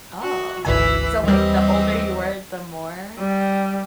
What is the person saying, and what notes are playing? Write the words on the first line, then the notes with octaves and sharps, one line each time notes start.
Oh, so like, the older you were, the more
F#4
G#1 D2 E3 E4 B4 G#5
D#2 E3 G3 C4 D#5
G3